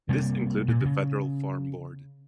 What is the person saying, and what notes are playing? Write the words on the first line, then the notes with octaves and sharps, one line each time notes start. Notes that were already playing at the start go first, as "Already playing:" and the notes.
This included the Federal Farm Board.
C3 G3 A3 A#3
A#2
C#3